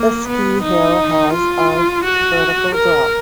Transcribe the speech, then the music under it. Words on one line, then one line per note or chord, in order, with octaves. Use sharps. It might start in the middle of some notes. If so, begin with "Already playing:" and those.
The ski hill has of vertical drop.
Already playing: A#3
B3
D#4
F4
F#4
A#4